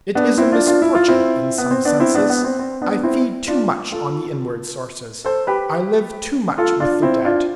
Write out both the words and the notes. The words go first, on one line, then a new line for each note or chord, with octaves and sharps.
It is a misfortune, in some senses: I feed too much on the inward sources; I live too much with the dead.
B3 D4
C4 E4
D4 F4
D4 F4
E4
F4
C4 E4
B3
C4
B3 D4
C4 E4
B3 D4
B3
C4
C4
B3 D4
C4 E4
D4 F4
F4 A4
A4 C5
G4 B4
F4 A4
D4 F4
C4 E4
D4 F4